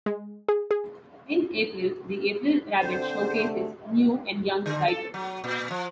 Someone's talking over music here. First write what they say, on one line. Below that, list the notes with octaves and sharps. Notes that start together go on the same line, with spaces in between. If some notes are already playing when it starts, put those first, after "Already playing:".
In April, the April Rabbit showcases new and young writers.
G#3
G#4
G#4
D3 C4 C5
C3 A3
D3
A4
F#3
A#2
F3